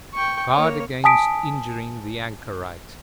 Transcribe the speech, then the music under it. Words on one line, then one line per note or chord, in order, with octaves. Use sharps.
Guard against injuring the anchorite!
G5 C#6
A#3 C#5
G#5 A5 D#6 B6 D7